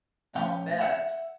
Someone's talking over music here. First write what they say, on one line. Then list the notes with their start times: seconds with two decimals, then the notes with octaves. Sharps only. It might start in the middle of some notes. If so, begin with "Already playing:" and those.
I'll bet.
0.35 A#2 F3 A3 C#4 F5 G5
0.81 E5 F#5